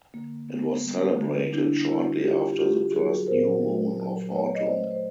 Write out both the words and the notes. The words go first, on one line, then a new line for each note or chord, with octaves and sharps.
It was celebrated shortly after the first new moon of autumn.
D3 A#3
D3 B3
G3 A#3
D3
G3 D4 E4
G3 E4 F#4
G3 F4 G4
F#4
G3 F4 G4
F#3 F#4 G#4
A#2 A#4 C5
F#3
F#3
A3 B4 C#5
D#5
A3 C5 D5
C5